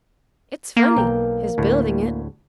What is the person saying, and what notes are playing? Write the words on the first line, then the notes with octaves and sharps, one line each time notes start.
"It's funny--his building it."
A#3
B1 G5
D2 A2